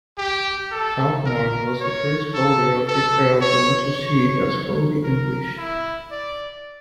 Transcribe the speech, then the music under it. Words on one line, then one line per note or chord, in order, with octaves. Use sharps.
Albemarle was the first holder of his earldom to see it as wholly English.
G4
A4
A#4
C#5
A4
A4
C#5
C#5
A#4
E4
D5